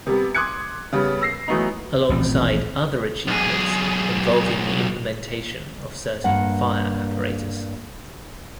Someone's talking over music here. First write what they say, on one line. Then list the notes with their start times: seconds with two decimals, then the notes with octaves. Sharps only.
Alongside other achievements involving the implementation of certain fire apparatus.
0.07 C3 G3 B3
0.35 C6 D6 D#6 F#6 G#6 C#7
0.93 C#3 G3 B3
1.21 E6 A#6 C7
1.48 E3 F#3 A3 B3 D#4
2.09 D#1 A1 C4
3.28 B1 G#4
6.24 G2 A#3 F#5